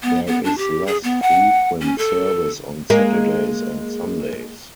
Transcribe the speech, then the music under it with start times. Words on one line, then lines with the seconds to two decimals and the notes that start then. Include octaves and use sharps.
There is less frequent service on Saturdays and Sundays.
0.03 B3
0.27 B3
0.44 D4
0.58 G4
0.86 G#4
1.04 B3
1.22 F#5
1.82 C#4
1.98 A4
2.90 G#3 A#3